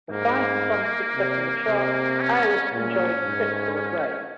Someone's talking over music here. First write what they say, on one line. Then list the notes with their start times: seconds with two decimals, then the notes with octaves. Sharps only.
Besides the song's success on the charts, "Iris" enjoyed critical acclaim.
0.10 G#2 A#3
1.15 C3
1.67 C3
2.20 C#4
2.72 A#2 C#4
3.25 G#2